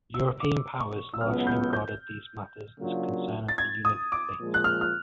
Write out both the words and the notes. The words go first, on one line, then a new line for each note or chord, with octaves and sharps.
European powers largely regarded these matters as the concern of the United States.
E6
D6
C#6
E6
C#2 B2 F#3 B3 F6
G6
G6
C#3 F#3 A#3 D4 F4
A6
G#6
D#6
D6
A#2 F3 G#3
F#6
F6
F6